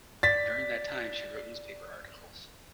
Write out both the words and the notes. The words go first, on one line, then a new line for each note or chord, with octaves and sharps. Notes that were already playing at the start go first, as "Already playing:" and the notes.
During that time she wrote newspaper articles.
D5 A6 B6